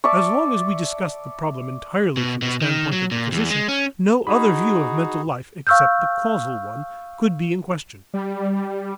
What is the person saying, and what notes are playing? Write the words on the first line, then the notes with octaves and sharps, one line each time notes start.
As long as we discussed the problem entirely from the standpoint of the physician, no other view of mental life except the causal one could be in question.
D5 E5 A5 C#6
B2
B2
D#3
F#3
A#2
E2
G#3
C#4
D#4 F#4 G#4 B5
F5 C#6 E6 F6 G6
G3